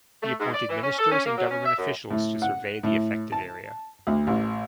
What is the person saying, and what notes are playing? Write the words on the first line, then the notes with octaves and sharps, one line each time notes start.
He appointed ministers and government officials to survey the affected area.
A3
G#2
D5
E3
C#4
A4
C#4
A#3
F#3
C#4
E5
F#2
A2
F#5
A2
A5
D2
A1